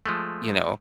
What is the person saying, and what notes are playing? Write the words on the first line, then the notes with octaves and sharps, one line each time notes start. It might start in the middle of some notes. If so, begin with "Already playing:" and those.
you know
F3 G#3 A3